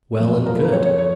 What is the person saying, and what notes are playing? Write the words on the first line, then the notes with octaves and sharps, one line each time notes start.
Well and good.
F2
F3 A#4
B4
F2 C#5
C#5
C#5